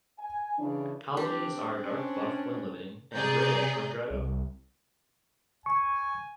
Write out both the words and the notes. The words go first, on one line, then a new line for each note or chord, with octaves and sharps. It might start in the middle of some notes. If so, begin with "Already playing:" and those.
Colonies are dark buff when living and greyish when dried up.
G#5
C#3 E3 D4
C4 D4 G4
C#4
C3 G#4 D5 A#5 G6
C2
G#5 C#6